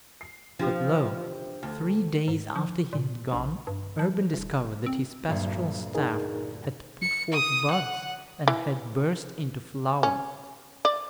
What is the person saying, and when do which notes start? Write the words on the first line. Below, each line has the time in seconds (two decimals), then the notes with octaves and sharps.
But lo! three days after he had gone, Urban discovered that his pastoral staff had put forth buds, and had burst into flower.
0.21 C7
0.59 D3 F3 G4
1.63 D2
2.28 G#2
2.56 F3
2.93 A#2
3.32 A#1
3.67 G2
3.99 F3
4.34 D#1
4.86 C4
5.29 D2 G2 A#2 F#3
5.94 D#4 G#4 A#4
7.02 C#7
7.32 D#6
7.71 F#5
8.48 E3
10.03 C#4
10.85 D5